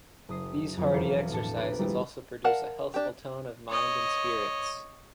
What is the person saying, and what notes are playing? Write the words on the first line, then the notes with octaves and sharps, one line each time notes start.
These hardy exercises also produce a healthful tone of mind and spirits.
F#1 D#6 C7
F2 D3 F#3 C4
E1 E2 E3 F5 C7 C#7
A2 D4 A5 C#7
F1 A#1 B4 D5
D#3 G3 G#3 E4 F4
A#4 D5 F5 F#5 A5
D4 G4
C#5 D#5